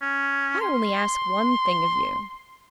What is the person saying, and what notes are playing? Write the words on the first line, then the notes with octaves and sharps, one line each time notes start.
I only ask one thing of you.
C#4
C6